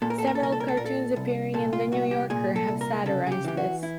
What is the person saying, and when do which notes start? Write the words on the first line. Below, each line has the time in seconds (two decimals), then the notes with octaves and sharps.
Several cartoons appearing in "The New Yorker" have satirized this.
0.02 A#2 A4
0.10 A#4
0.18 A4
0.27 A#4
0.35 A4
0.40 C2 A#4
0.52 A4
0.60 A#4
0.68 A4
0.77 A#2 A#4
0.85 A4
1.16 C2
1.54 A#2 A4
1.73 F4
1.92 C2 F#4
2.11 G4
2.30 A#2 G#4
2.56 A4
2.68 C2
2.81 A#4
3.06 C#3 A4
3.27 G#4
3.32 G4
3.44 E3 G4
3.57 F#4
3.83 E4